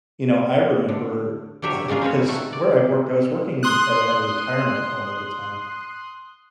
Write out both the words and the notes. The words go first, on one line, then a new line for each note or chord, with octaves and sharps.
you know, I remember, uh 'cause where I worked, I was working at a at a retirement home at the time,
D3
D3 F#3 G4 C#5 E5
C#3 G#3 A#3 F4 G#4
C4 C#4 B4 C#5
D#3 A3 F#4
D5
C6 D#6 F#6